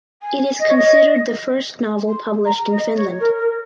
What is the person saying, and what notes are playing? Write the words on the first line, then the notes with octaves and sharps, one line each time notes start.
It is considered the first novel published in Finland.
G#5
D#5
C#5
D#5
C6
A#5
D#5
C#5
A#4
A#4